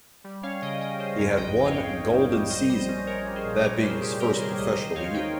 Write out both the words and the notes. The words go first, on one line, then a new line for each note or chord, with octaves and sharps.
He had one "golden" season-that being his first professional year.
G3
C#4 C#5 F5
C#3 D#5 G5
C#3 D#5 G5
C#4 C5 D#5
F2 A#4 C#5
A#1 D#5 G5
G#2 G5
C#5 F5
A#1
A#1
G3
G3
A#1 C5 D#5
G3 C5 D#5
C#4
A#1 A#4 C#5
G3
G#4 C5
A#2
G3 A#4 C#5
G3 G#4 C5
C3 G4
C3 G4 A#4
D#3 G#4 C5
C#2 C5 D#5
D#3 C5 D#5
D#2 C#5 F5
D#4 D#5 G5